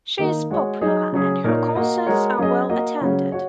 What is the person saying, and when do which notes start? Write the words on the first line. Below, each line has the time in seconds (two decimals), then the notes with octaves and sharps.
She is popular and her concerts are well attended.
0.19 D#3 A#3 D#4 A#4 D#5
0.50 G#3 F#4 C#5
0.81 F#3 D#4 G#4 D#5
1.12 C#3 F#3 C#4 G#4
1.44 A#2 A#3 D#4 A#4 C#5
1.75 A#3 F#4 D#5
2.06 G#3 F#4 A#4 C#5
2.38 F#3 C#4 G#4 D#5
2.69 A#3 F#4 D#5
3.01 C#3 F#3 C#4 F#4
3.32 F#4 C#5